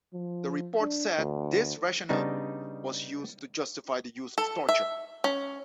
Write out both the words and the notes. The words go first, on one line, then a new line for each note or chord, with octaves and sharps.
The report said this rationale was used to justify the use of torture.
F3
D4
D2
C#3 G3 B3 D4 D#4
A4
E5
C#4